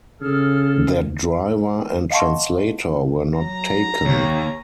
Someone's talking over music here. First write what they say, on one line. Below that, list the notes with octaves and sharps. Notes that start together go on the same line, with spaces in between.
Their driver and translator were not taken.
C#3 G#4 A4 F6
D#5 F5 F#5 A5 C6 C#6
F#3 A#5
D#2 C#5